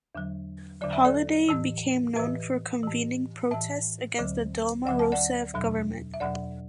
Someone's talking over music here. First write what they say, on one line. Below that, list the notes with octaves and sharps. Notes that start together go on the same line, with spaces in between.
Holiday became known for convening protests against the Dilma Rousseff government.
E2 D3 F#3
E2 D3 F#3 D5
E5
A4 D5
A2 E3
A2 E3 B4 E5
A2 E3
A2 E3 E5 A5
D2 D3 F#3
D2 D3 F#3 F#5
A5
D5 F#5
E2 B2 F#3
E5
E2 B2 F#3 D5 F#5